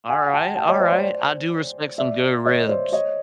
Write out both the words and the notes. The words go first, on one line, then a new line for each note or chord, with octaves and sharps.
Alright, alright, I do respect some good ribs.
F#5 G#5
G5 A5
G5 A5
C#5 D#5
C5 D5
C5 D5
D5 E5
C#5 D#5
C5 D5
C#5 D#5